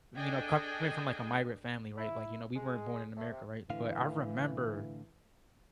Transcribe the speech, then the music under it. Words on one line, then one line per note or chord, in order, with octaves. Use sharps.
you know, coming from, like, a migrant family, right, like, you know, we weren't born in America, right? But I remember
D4 G#4 A4 D#5 G5 G#5
E4
G#3
A2
C3
A2 D3 E3 F5